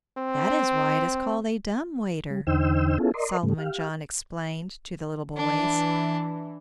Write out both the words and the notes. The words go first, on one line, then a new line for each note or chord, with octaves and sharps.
"That is why it is called a dumb-waiter," Solomon John explained to the little boys.
C4
G3
E2 D3 D#4 C5 G5 E6
B3 C#4 E4 F4 G#4 A4
A#4 D5 D#5 C6
G#2 C#3 G3 A3
G4 F5
E3 D4